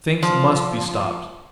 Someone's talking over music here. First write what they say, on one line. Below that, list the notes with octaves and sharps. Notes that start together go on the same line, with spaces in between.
Things must be stopped.
F3